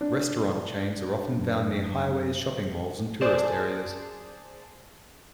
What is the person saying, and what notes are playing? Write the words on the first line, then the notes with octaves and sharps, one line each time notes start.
Restaurant chains are often found near highways, shopping malls and tourist areas.
D4
F#2 F#3 C#4
G#4 C5 D5 A5